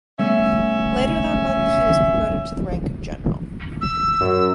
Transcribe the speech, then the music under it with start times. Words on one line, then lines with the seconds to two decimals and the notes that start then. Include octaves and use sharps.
Later that month, he was promoted to the rank of General.
0.19 G3 A3 B3 C#4 E5
3.81 E6
4.21 F#2